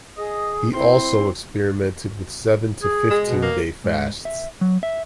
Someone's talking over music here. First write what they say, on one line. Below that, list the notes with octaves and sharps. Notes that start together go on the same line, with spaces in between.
He also experimented with seven to fifteen day fasts.
G#4 D#5
C4 E4 C6
G#4
G#3
B2
A#3
G#2
E5
F#3
E5